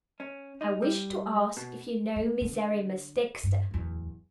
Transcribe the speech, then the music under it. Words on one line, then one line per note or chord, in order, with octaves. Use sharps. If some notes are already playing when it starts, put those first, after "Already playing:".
"I wish to ask if you know Miserrimus Dexter."
C#4
D#4
G3
B2
A3
D3
G2
D1 E2